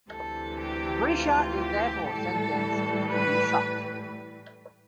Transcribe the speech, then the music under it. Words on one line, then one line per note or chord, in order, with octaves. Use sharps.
Grischa is therefore sentenced to be shot.
D2 C3 E3 A4
G4
F4
G4
A2 E3 G3 A4
B4